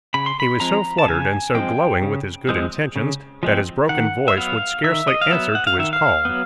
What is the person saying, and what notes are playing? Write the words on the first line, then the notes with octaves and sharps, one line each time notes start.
He was so fluttered and so glowing with his good intentions, that his broken voice would scarcely answer to his call.
C#3 B5
C6
B5
F3 G#3 C4 A#5
A5
C#3 G#5
F3 G#3 C4 G5
C#3
F3 G#3 C4
C#3
F3 G#3 C4
D#3 F#5
E5
F#3 B3 F5
D#3 E5
D#5
F5
F#3 B3 E5
F#5
F5
D#3 E5
F5
F#3 B3